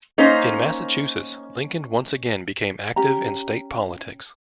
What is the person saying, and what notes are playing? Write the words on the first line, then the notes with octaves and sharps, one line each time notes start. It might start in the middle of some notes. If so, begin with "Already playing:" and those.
In Massachusetts, Lincoln once again became active in state politics.
A#3 C#4 D#4 A#4 C5
C#4 G4 A#5